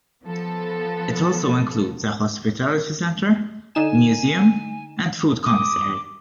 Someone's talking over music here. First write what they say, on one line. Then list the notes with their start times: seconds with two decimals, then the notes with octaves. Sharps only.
It also includes a hospitality center, museum, and food commissary.
0.24 F3 B3 A4
3.75 D3 D#4 G#5 E7
5.46 D6 D#6